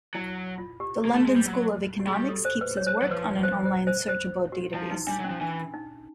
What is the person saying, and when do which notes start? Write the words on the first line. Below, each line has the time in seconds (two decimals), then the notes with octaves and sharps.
The London School of Economics keeps his work on an online searchable database.
0.14 F#3 E4
0.58 F4
0.80 G4
1.05 A#3
1.15 A3
1.25 G#3
1.36 G3
1.46 F#3
1.99 F#4
2.07 G#3
2.12 G3 G4
2.29 A4
2.45 C5
2.61 B4
2.77 C#5
2.87 C5
2.97 C#5
3.02 F#3
3.10 F3 B4
3.43 C5
3.65 C5
3.87 C5
4.08 C5
4.52 F#4
4.74 F3 E4
4.91 D#4
5.07 G3 D4
5.20 F#3 C#4
5.30 F3
5.41 E3 D4
5.74 D#4